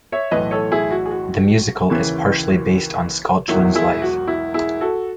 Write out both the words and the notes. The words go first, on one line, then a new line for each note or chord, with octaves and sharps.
The musical is partially based on Schalchlin's life.
C#5 E5
B1 A2 E3 B4 D#5
A4 C#5
E4 G#4
F#4
G#4
F#4
D#2 C#3 E3
E1 E2 D#3 F#3 E4
E4 G#4
F#4
E4
E4 G#4
F#4 A4